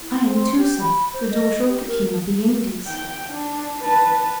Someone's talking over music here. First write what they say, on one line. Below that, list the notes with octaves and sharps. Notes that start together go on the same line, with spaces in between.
I am Tusa, the daughter of the King of the Indies.
E4
C4
G4
B5
C5
D#5
G4
A#4
G5
D4
B4 A5